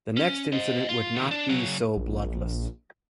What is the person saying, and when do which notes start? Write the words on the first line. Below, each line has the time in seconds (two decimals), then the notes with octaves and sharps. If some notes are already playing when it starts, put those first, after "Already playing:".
The next incident would not be so bloodless.
0.17 C#4
0.52 C5 D#5
0.89 F4
1.15 B2 D#3
1.31 D4
1.49 C#3 F#3
1.97 A#1